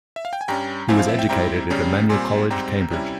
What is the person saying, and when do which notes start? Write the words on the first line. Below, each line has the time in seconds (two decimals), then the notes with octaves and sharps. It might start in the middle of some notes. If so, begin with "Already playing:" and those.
He was educated at Emmanuel College, Cambridge.
0.16 E5
0.25 F5
0.33 G5
0.41 G#5
0.48 G2 G3 C#4 G5 A#5
0.89 G#2 F3 C4 E4 F5 G#5
0.99 F5
1.09 E5
1.19 E5 G5
1.29 G#2 G3 C4 E4 G5 A#5
1.70 E2 C#3 G3 C#4
2.09 A#2 G3 C4 G#5 C6
2.50 G#2 G3 C4 G5 A#5
2.90 C3 G3 C#4 E4